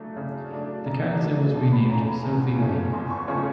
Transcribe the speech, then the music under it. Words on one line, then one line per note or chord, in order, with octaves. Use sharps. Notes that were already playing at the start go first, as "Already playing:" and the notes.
The character was renamed Sophie Wynn.
Already playing: C#3 F#3 A3 D4
C#3
F#3 A3 D4
C#3 A#5
F#3 A3 D4
E2 A5
B5
C#3 F3 A3 C#4 A#5
A#5
E2
C#3 F3 A3 C#4
E2 C6
C#6
C#3 F3 A3 C#4 C#6